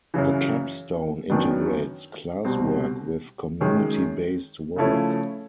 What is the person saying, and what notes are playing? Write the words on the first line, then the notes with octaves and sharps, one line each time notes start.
The capstone integrates class work with community-based work.
F#2 C#3 E3
F#2 D#3 F#3 B3 D4
C2 B2 G3 C4
F#2 D#3 G#3 C#4
C#3 F3 A3 C#4 E4